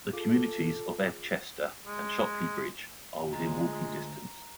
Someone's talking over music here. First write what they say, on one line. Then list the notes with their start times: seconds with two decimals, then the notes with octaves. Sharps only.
The communities of Ebchester and Shotley Bridge are within walking distance.
0.13 F4 G#4 A4 D6
1.87 G#3
3.33 D2 G#3 F4 A#5